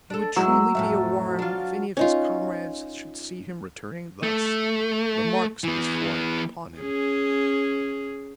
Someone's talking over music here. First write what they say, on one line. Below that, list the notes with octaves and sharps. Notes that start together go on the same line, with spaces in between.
He would truly be a worm if any of his comrades should see him returning thus, the marks of his flight upon him.
D4 A4
G#2 F#3 G#3 E4 E6
F2 A2 E5
D4 F4
C#4 D#4 F4
A3
E3 B3
C#4 G#4